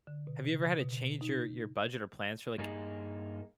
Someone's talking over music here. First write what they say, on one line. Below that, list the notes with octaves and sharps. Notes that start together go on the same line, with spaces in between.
Have you ever had to change your your budget or plans for, like,
D3
B2
C#3
B2
D#4
G2 A#3 D#4 G#4